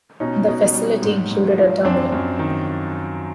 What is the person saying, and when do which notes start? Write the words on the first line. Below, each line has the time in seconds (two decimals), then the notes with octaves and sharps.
The facility included a terminal.
0.20 B2 C#4 D#4
0.48 B2
0.75 G3
1.02 G#2
1.31 G#2
1.58 F3
1.85 F#2 C4 D4
2.12 F#2
2.39 D#3